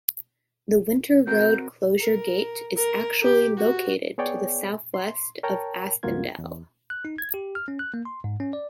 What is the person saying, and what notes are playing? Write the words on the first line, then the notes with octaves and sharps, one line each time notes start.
The winter road closure gate is actually located to the southwest of Aspendell.
C4 F#4 A#4 G6
A#4
A#4
G4
F#4
B3 G#4 C#5 D5 G5
C6
A#4 C#5 G5 A5 A#5
C#2 G2 A#3 F4 F#4 G#6
E2
F#6
D#4
G#6
G4
F6
C#4
F#6
A#3
C6
G#2
C#4
D5